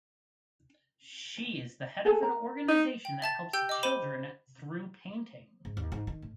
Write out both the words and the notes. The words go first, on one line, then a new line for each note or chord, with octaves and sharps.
She is the head of an organization that helps children through painting.
G#4 A4 G#5
A#4 A#5
D#4
G5
E5 A5 A6
G4 G5 E6 G6 G7
D#5 D6
C5 B5 D#7 E7 G7
G#2
D#2
G#2
D#3
A2